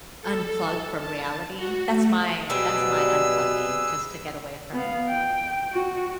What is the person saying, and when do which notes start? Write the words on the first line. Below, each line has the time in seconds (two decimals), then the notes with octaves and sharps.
unplug from reality. That's my that's my unplugging, just to get away from
0.22 A4
0.98 A5
1.56 F#4
1.89 A3
2.50 B2 F#3 G3 C4 G#4 B4 E6
4.73 B3 F5
5.09 G5
5.72 F#4